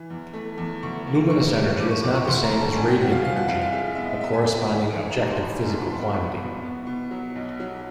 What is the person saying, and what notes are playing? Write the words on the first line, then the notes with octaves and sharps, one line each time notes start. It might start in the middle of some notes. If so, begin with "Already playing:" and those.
Luminous energy is not the same as radiant energy, the corresponding objective physical quantity.
Already playing: E3
E2
A3
E2
D2 C#6
A#3
D2 C#6
G3
F3 D6
C#6
D2 D6
C#6
D2 C6
A#5
D2
A5
C2 G#5
G5
F3 F#5
F5
F3 F5
F#5
C2 F5
F5
G#3 E5
B3 E5
D#5
B3 E5
G#5
C#2 G5
G5
D#3 G#5
A1
A#5
G#2 A5
C6
A1 B5
A#5
C2 A5
C6
B5
B3 C6
B5
B2 C#6
B2
B3
B2
F#3
B1
F#3